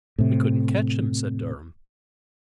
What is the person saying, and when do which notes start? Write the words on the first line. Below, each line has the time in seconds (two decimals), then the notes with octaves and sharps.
"We couldn't catch him," said Durham.
0.18 A2 C3